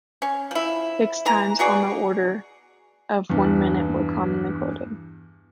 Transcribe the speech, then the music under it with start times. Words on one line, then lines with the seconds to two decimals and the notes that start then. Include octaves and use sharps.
Fix times on the order of one minute were commonly quoted.
0.22 C#4
0.51 F3 E4
1.26 E3 A#5
1.59 B2 F#4 G#4 D5
3.30 E2 G2